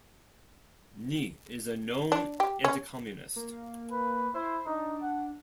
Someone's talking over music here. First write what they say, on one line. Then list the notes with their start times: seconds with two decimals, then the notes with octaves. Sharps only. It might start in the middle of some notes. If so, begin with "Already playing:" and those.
Ni is a known anti-communist.
2.12 D4
2.40 G4
2.64 C#4
3.36 A#3
3.92 B4
4.34 E4 C5
4.67 D4 D#4
5.02 F#5